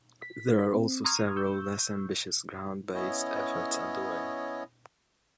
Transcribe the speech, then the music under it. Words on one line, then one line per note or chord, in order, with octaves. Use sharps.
There are also several less ambitious ground-based efforts underway.
B6
C4
A#5 C6 C#6 D#6 F6 G#6
C#6 E6 G6
B3 C#4 E4 C#5 D#5